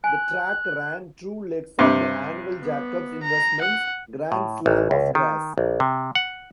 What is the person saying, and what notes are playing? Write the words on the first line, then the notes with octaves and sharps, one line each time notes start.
The track ran two legs of the annual Jacobs Investments Grand Slam of Grass.
G#5 F#6
G2 C3
B3
A#5
F#5
A2
A1
C#2
D#3
A#1
C3
F#5